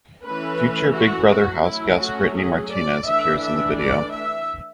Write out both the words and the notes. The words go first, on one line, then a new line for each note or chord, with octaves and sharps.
Future "Big Brother" houseguest Brittany Martinez appears in the video.
E3 A3 C#4 B4
F#4
F#4
F#3 A3 C#4 E4
F#4
G#4
D5
E3 A3 D4 E5
E5
D5
E5